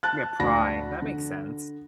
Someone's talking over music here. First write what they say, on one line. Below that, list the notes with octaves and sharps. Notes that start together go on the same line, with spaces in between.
Yeah, pry, that makes sense.
A5 F#6 A6
D2 F#4 D5 A5 B5 A#6
D3